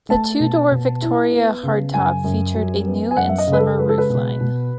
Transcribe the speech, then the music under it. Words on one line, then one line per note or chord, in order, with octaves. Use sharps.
The two-door Victoria hardtop featured a new and slimmer roofline.
A3 A5
B2
B2
E4
B3
C#3
F#2 G#5
F#2
F#3
B3
G#5
F#2 F#5
E5
D#5
C#3
B4
A4
G#3 B4
A4
B4
B2
B2